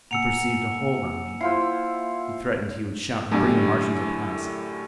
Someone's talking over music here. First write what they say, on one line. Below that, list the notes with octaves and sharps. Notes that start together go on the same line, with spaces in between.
He perceived a hold on me--he threatened he would shout and bring the Martians upon us.
A#3 F#5 G#5 E6 C#7 F7
E4 F4 C5 C7
F#2 A2 D3 G3